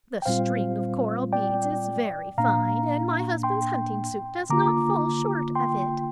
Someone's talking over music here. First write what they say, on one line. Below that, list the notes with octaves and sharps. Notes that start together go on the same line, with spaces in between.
The string of coral beads is very fine, and my husband's hunting suit does not fall short of it.
G5
A#2 G3 C4 F4 C5 F5
D5 G5
A#2 A#3 D4 F5 A#5
G5 C6
D3 A#3 F4 A#5 D6
G5 C6